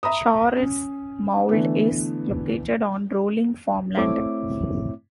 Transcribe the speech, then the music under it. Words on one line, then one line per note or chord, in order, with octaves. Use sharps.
Charles Mound is located on rolling farmland.
E5 A#5 B5 D#6
C#4
D3 E3 A3 B3
A3 C4 E4 C#5 E5 D6